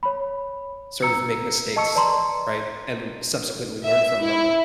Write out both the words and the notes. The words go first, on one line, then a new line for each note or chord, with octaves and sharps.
sort of make mistakes, right, and subsequently learn from them.
C#5 B5
A#5 E6 C#7
D#5 A5 C#6 E6 C#7
B4 D5 A5 A#5 C6
E5
E4